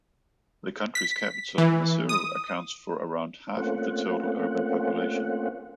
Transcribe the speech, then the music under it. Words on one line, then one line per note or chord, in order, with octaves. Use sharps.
The country's capital, Maseru, accounts for around half of the total urban population.
B6
E3
D#6
A3 A#3 C4 C#4 F4 F#5